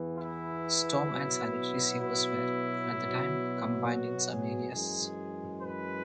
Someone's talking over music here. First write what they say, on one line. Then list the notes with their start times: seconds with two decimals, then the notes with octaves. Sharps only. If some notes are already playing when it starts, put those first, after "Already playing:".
Storm and sanitary sewers were, at the time, combined in some areas.
Already playing: E2 E3 B3
0.19 E4
1.09 B2 F#3 B3
2.00 E4
2.90 B2 F#3 B3
3.81 F#4
4.26 G#4
4.71 F#2 E3 G#3
5.61 B4